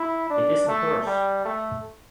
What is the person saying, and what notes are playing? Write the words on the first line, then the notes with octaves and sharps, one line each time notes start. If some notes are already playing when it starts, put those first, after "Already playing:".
It isn’t hers!
Already playing: E4
D4
A3
G3
A3